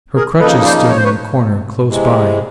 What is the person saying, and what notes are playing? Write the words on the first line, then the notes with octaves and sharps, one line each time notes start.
Her crutches stood in the corner close by.
G#4 A#4
C#3 F3 A#3 D#4 A4 B4
C5 D5
C#5
C5
B4 C#5
C3 E3 G#3